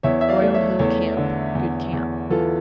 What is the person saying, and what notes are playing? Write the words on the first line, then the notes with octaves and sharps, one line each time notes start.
Royal Hill Camp.--Good camp.
E2 C#5 E5
E5
D5 F5
A3
C#5 E5
E2 A4 C#5
D3
E2
E2
E3 F4 A4